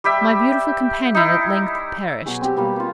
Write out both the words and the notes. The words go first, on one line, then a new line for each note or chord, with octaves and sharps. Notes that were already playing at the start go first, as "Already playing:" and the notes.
My beautiful companion at length perished.
G3 G4 E5
D#4 E4
B2 F#3 F#4 G#4
C4 G4
B2 G3 A#3
A#3 F4